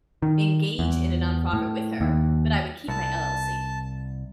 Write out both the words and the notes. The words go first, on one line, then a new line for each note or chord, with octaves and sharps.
engage in a nonprofit with her, but I would keep my LLC.
D#3
E2
A2
D#2
C2 A5